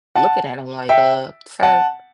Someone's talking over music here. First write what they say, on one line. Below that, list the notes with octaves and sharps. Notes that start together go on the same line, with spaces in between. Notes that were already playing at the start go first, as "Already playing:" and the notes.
looking at him, like, "Uh, sir,
F#5 A5
E5 G5
F#5 A5